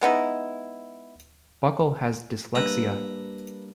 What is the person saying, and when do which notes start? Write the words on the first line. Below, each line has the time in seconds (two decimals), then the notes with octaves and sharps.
Buckell has dyslexia.
0.01 G#3 B3 D#4 E4
2.55 G3 A#3 D4 B4 E5 A#5